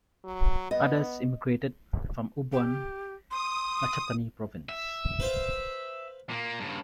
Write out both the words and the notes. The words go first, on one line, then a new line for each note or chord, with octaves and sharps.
Others immigrated from Ubon Ratchathani Province.
F#3
B3 D#5
G4
C6 D#6
E5
B4 C5 F5
A#2 A#3
G2 C#3